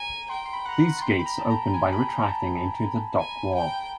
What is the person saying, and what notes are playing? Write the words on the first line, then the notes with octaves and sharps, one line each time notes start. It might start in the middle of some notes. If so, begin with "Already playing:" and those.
These gates open by retracting into the dock wall.
Already playing: G#5 A#5
G5 C6
C6
B5
F#5 A#5
B5
G5 C6
B5
A#5
A5
A#5
G#5
B5
A#5
A5
G#5
G5